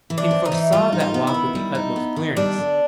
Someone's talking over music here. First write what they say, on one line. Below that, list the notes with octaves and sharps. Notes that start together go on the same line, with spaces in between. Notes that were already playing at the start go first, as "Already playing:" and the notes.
He foresaw that walk with the utmost clearness.
E3
D4
C4
D#4
E3
G3 F4
D#4
F4
B3
E4
D#3
G3
D#4
B3
D#3
G3 D4
D3